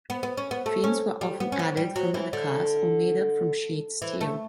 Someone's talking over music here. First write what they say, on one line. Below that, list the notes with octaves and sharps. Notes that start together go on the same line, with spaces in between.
Fins were often added from other cars, or made up from sheet steel.
B3
B3
C#4
B3
A3
C#4
G3
B3
C#4
B3
G3
F#3
E3
D3
E3
A3